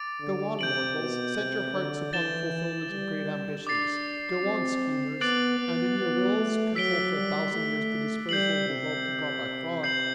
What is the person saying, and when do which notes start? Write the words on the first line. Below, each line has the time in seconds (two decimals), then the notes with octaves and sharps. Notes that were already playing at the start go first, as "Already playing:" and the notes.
Go on, mortals; set your hearts upon the fulfillment of great ambitions: Go on, schemers, and in your wills control for a thousand years the disposal of the wealth you got by fraud!
Already playing: D6 A6 D7
0.20 D3
0.59 C3 G6 D7 F#7
0.97 B2
1.36 C3
1.74 D3
2.13 E3 A6 E7 G7
2.89 G3
3.66 D4 D6 A6 C7
4.44 C4
5.21 B3 D6 F#6 A6 D7 F#7
5.59 B3
5.98 B3
6.37 A3
6.75 F#3 E6 B6 D7 G7
7.13 G3
7.53 A3
8.29 G3 G6 C7 F#7
8.68 C3
9.83 G6 C7 F#7